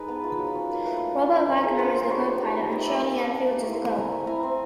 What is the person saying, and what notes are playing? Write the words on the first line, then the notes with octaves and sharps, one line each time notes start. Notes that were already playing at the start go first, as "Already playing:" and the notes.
Robert Wagner is the co-pilot and Shirley Anne Fields is the girl.
Already playing: G#3 D#4 A4 B4
B3
F4
F#3
C#4
A#3
A3 A4 B4
A3
F4
D4
F3 A#4 C5
F3 G#4 A#4
D4 A#4 C5
A3 A#4 C5
G3 B4 C#5
G3
D#4
B3
D#4 C#5 D#5
A#3 D5 E5
A#3 G#5 A#5
D#4 A5 B5
G3
G3 D6
E4 C#6
C6
C4 B5
A3 G#5 A#5
A3
E4 G#5 A#5
C4